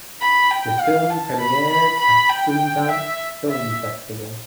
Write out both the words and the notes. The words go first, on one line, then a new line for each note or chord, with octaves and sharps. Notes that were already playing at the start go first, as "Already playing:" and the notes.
The film premiered at Sundance Film Festival.
B5
G5
F5
A5
B5
B5
B5
G5
E5
E5